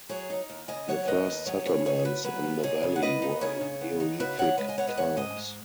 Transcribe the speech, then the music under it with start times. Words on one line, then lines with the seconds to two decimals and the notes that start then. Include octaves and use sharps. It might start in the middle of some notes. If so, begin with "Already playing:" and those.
The first settlements in the valley were in Neolithic times.
0.09 F#3 G#4 C#5
0.30 D#4
0.50 D#2
0.68 C#3 D#5 G#5
0.88 F#3 C#5 F#5
1.07 D#4 B4 D#5
1.27 D#2
1.46 F#3 G#4 C#5
1.66 B3 G#4 C#5
1.85 D#4 G#4 C#5
2.05 C#3 F#4 B4
2.24 F#3 F#4 B4
2.43 B3
2.63 D#4 G#4 C#5
2.83 C#3
2.96 F#5
3.02 B3 B4 D#5
3.22 D#4
3.41 C#3 G#4 C#5
3.61 C#3
3.81 B3
4.00 D#4
4.20 C#3 F#4 B4
4.39 C#3 C#5 F#5
4.58 G#3 B4 D#5
4.68 D#5 G#5
4.78 B3 C#5 F#5
4.87 B4 D#5
4.97 G#2 C#5 F#5
5.16 G#2 D#5 G#5
5.36 G#3